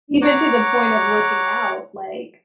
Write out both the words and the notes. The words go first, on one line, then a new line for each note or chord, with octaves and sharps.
Even to the point of working out, like
C#5 F#5 A#5 D6